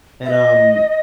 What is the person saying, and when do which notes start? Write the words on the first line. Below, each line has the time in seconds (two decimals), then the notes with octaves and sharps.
and, um,
0.25 E5
0.29 D#5